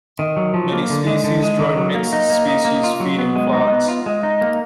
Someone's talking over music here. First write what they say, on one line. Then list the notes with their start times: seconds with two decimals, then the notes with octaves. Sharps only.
Many species join mixed-species feeding flocks.
0.19 D#3
0.37 F#3
0.54 F3
0.72 A#3
0.90 D3
1.07 G#3
1.24 D3
1.42 G#3
1.59 D#3
1.77 F#3
1.94 A#3
2.13 D#4
2.30 A#3
2.47 D#4
2.65 A#3
2.83 F4
3.00 F#3
3.18 B3
3.36 G#3
3.53 D#4
3.70 B3
3.88 F4
4.06 G#3
4.23 D#4
4.41 A#3